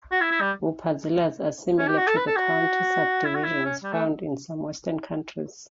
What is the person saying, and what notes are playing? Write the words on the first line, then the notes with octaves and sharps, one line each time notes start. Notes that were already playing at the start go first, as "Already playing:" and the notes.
Upazilas are similar to the county subdivisions found in some Western countries.
F#4
E4
E4
G3
C#4
G4
F#4
A4
B4
A4
F#4
E4
F#4
E4
C#4
G3
A3